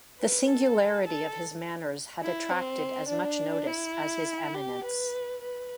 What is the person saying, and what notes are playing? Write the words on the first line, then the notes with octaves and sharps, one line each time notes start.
The singularity of his manners had attracted as much notice as his eminence.
B4
A4
A4
E4
C4
D4
E4
G4
B4
B4